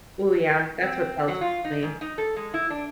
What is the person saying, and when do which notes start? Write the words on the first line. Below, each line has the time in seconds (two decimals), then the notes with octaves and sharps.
Ooh yeah, that's what tells me.
0.82 C4
1.28 F#3
1.41 F4
1.65 D#4
1.83 G#2
2.01 D#4
2.18 A4
2.36 G#3
2.54 E4
2.70 D4